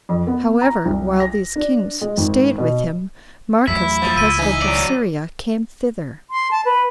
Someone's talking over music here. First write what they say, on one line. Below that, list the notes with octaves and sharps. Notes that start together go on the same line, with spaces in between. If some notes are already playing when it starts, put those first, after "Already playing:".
However, while these kings staid with him, Marcus, the president of Syria, came thither.
F2
B3
A#5
C2
A#6
D4
G#3
G#1
B2
E2 F#3 A3 E4 B6
F3
C#2 E6 D#7
E3 D#4
F#3 D5
C6
A5
B4